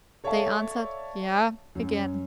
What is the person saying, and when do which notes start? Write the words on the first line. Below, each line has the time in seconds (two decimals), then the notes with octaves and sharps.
They answered "yea" again.
0.24 A4 C#5 D5 E5 F5 A5
1.75 F#2